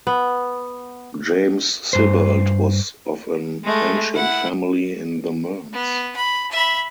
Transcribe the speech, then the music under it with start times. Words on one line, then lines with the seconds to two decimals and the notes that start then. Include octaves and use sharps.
James Sibbald was of an ancient family in the Mearns.
0.07 B3
1.93 G2 C5
3.64 G#3 A3
4.13 E4 F#5
5.73 B3
6.16 B5
6.51 E5 B5